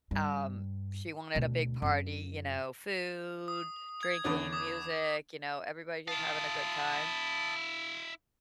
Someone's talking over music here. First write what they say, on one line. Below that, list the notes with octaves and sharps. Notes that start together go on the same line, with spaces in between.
Um, she wanted a big party, you know, food, drinking, music, you know, everybody just having a good time.
G2
D2 B2
F#2 F4
D#6
G#6
E2 D3 C#4
D6 D#6
E4 F5 A5 D#6